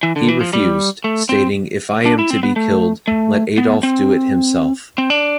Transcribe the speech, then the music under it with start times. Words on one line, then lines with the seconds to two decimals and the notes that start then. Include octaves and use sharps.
He refused, stating, If I am to be killed, let Adolf do it himself.
0.03 E3
0.16 D3
0.28 E3
0.41 F3
0.53 G3
1.04 A3
1.29 C4
2.06 D4
2.19 E4
2.30 C4
2.43 B3
2.56 A3
3.08 A3
3.58 B3
3.83 C4
4.98 C4
5.10 D4